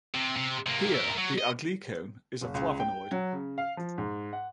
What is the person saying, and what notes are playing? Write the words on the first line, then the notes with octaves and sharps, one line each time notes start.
Here, the aglycone is a flavonoid.
C3
C3
C3 A#3
A#4 E5
F#3
D#5
F#1
C#2
G5
F#3
C#3
F5
F3
G#2
F#5